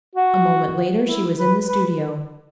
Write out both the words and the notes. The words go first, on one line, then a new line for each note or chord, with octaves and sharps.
A moment later she was in the studio.
F#4
E4
B4
B4